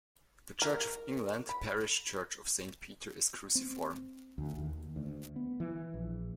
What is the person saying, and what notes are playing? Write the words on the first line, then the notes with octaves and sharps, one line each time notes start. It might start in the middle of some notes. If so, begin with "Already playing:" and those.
The Church of England parish church of Saint Peter is cruciform.
A#4
B5
C4
D2
D#2
D2
B3
E3
A#1